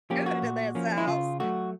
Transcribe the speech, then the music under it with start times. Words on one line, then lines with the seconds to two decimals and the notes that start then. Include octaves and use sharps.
good in this house."
0.10 F3 A#3 C#4 G4
0.26 F#4
0.42 A#2
0.75 F3 A#3 C#4
0.98 E4
1.07 C#3 F4
1.40 F#3 A3 F#4